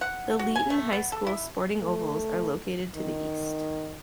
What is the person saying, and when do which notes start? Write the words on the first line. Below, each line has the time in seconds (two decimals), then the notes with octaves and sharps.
The Leeton High School sporting ovals are located to the east.
0.01 F#5
0.39 F#4
0.55 G#5
0.70 A3
0.92 B3
1.12 A4
1.27 E4
1.81 A3
2.96 D#3